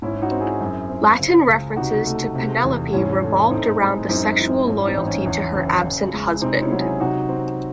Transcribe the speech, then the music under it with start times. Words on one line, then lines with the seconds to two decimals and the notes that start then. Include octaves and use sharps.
Latin references to Penelope revolved around the sexual loyalty to her absent husband.
0.02 G#2 C#4 E4
0.22 D#4 F#4
0.31 C4
0.41 E4 G#4
0.61 F#2
0.89 C4
1.19 C#3
1.48 C#2
1.76 C3 D#4 F#4
2.06 A3
2.35 C3
2.64 E2
2.93 G#2 C#4 E4
3.23 A3
3.51 A2 C4 D#4
3.81 G#3
4.09 F#2 C4 D#4
4.39 E3
4.68 G#2 C#4
4.87 C4 D#4
4.97 A1
5.07 C#4
5.26 E2 C#4
5.55 F#1
5.84 C#3
6.13 G#3
6.42 C3 C4 D#4
6.62 C#4 E4
6.72 F#3
6.80 E4 G#4
7.00 C3 D#4 F#4
7.29 C4